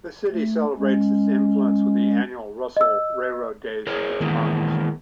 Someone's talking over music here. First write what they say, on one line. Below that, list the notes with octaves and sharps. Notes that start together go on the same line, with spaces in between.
The city celebrates this influence with the annual "Russell Railroad Days" each August.
A3
G#3 C#4
D#5 E6
G#4 A#4 C#5
D#3 E3 G#3 A#3 B3